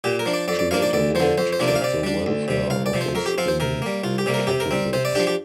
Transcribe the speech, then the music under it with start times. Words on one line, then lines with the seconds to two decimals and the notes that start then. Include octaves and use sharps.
She later worked at the welfare office in Kattowitz.
0.04 A#2 G4
0.19 A#4
0.26 F3 D4
0.34 D5
0.48 F2 D5
0.59 D5
0.71 F3 A#3 D4 F5
0.82 D5
0.93 D2 D5
1.15 D3 F3 C5
1.38 F2 C5
1.53 C5
1.59 C3 F3 A#3 D4
1.68 D5
1.75 F5
1.81 C3 D5
2.03 G3 D4
2.26 D2
2.48 C3 G3
2.70 C2 F5
2.86 D5
2.93 C3 F3
3.01 C5
3.15 F2 A#4
3.26 G4
3.38 F3 C4 F5
3.48 C5
3.60 C3 A#4
3.82 G3 A#3
4.04 C2 F4
4.18 G4
4.26 C3 G3 A#3
4.34 A#4
4.47 C3 G4
4.60 A#4
4.71 G3 C4
4.93 C3 C5
5.05 D5
5.15 F3 D4 G4
5.27 G4